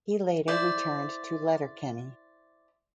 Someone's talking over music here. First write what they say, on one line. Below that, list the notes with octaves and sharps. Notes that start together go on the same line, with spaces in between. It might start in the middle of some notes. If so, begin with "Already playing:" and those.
He later returned to Letterkenny.
E4 C5 D5